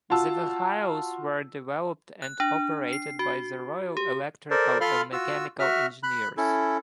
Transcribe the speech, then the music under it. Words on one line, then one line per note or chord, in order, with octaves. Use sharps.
The vehicles were developed and operated by the Royal Electrical and Mechanical Engineers.
F4 F#4 A5 E6
F#6
D4
C7
F#4
G4
A4 A#4 C5 D5
F4 A4 F5 B5 C6 F6
F4 F#4 E6
F#4 E5 F6
B5 F#6
C#4 E4 A4